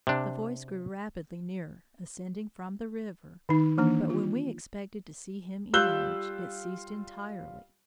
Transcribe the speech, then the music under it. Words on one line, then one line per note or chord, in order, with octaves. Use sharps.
The voice grew rapidly nearer, ascending from the river, but when we expected to see him emerge, it ceased entirely.
C3 D4
D#3 D#4
E3 A#3 D4
F4
G3 F4 E6 F#6 G6 G7